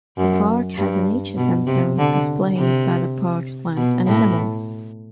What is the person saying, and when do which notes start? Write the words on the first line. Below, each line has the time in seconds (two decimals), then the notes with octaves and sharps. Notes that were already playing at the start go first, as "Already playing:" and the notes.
The park has a nature center with displays about the park's plants and animals.
0.17 F#2
0.78 G2
1.37 B2
1.67 C3
1.98 D3
2.57 C3
3.77 B2
4.07 A2